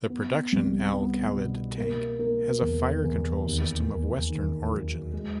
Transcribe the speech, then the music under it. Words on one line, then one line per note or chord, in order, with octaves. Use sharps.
The production Al-Khalid tank has a fire-control system of western origin.
B3
C2
B3
B2
A#3
A#3
E2
E2
D#2
A#3
D#3
F#3
G#3